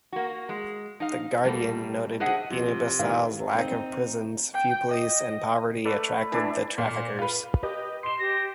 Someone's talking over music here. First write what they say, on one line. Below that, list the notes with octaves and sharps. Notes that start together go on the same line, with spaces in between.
"The Guardian" noted Guinea-Bissau's lack of prisons, few police, and poverty attracted the traffickers.
A#3 F#4
G#3
D#4 F5
B2 G3 A3 A#3
D4 G#4 C5 D#5 E5 F#5
C3 F3
D#3 E4 G4 B4 F5
C4 D#4
G5
D#5
A3 B4 D5
E3 D4 E4
A#2
F4 B4
G4 B4 D#5
C6 C7 E7
G4 A#6